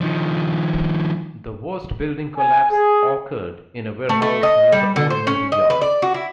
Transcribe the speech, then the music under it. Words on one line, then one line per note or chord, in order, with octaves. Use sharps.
The worst building collapse occurred in a warehouse near the old Navy Yard.
D#3 F3
G#5
G#4
A3
A3
D#5
G3
D3
C5
C#4
D#5
B4
D5
F#4
E4